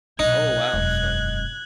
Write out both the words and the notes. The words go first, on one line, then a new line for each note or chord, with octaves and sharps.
Oh, wow, so
B1 A#2 D#4 F#6 G#6
E1 F#2